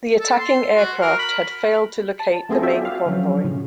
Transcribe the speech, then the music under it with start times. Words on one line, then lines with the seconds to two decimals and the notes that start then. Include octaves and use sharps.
The attacking aircraft had failed to locate the main convoy.
0.20 A4
0.39 C6
0.76 F#4
1.01 A#4
1.19 B5
2.20 A5
2.49 A3 B3 C4 G#4 A4 D#5
2.62 F4 F#4 D5 E5 G5
2.85 F5
3.06 D3 F3 F#3 C#4
3.44 A2 C#3